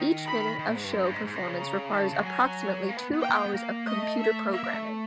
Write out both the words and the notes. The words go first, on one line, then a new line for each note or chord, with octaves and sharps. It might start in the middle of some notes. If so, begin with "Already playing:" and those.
Each minute of show performance requires approximately two hours of computer programming.
Already playing: D#3
B5
D#3
A#2
G#2
G2
F#2
G2
G#2
G#2
C3
C#3
A#5
D#3 A5
C#3
C#3
F#3 G#5
A#3
B3
B3
A#3 G5
B3
A#3
B3
A#3
A3 D#5
E5
A#3 E5
A#3
A3